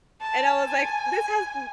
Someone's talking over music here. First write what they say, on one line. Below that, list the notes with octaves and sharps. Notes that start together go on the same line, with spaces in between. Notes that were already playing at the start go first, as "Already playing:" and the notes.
and I was like, "This has b
A5
G#5